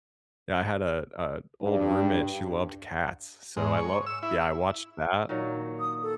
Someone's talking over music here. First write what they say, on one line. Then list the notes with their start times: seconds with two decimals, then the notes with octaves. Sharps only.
yeah, I had a a old roommate, she loved Cats, so I lo yeah, I watched that.
1.63 G2
3.57 G#2
3.77 C#5
4.06 E6
4.23 E4
5.29 A#2 D#3 F#3
5.80 D#6
6.03 A4